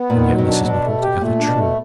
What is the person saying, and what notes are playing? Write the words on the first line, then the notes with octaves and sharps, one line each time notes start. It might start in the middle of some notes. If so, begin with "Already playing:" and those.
And yet this is not altogether true.
Already playing: B3
A#2 D#3
F#3
B2
D4
B2 D4
A3
G4
A#2 A3
D4
B2
A3